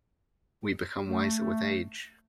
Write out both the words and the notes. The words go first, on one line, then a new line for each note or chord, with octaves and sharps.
We become wiser with age.
A3